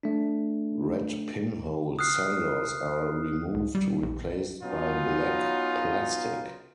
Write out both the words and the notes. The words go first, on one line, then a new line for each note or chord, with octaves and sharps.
Red pin-holed sensors are removed, replaced by black plastic.
A3 D4
D#6 F6 F#6 C7
C2
G3
A#1
F#3 B3 C#4 D#4 F4